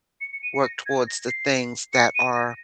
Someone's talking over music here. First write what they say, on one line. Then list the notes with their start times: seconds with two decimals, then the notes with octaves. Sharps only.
work towards the things that are
0.20 C#7
0.32 C#7
0.42 D#7
0.53 C#7
0.64 A#6
0.85 G#6
1.07 A#6
1.28 C7
1.93 C#7
2.14 D#7
2.36 A#6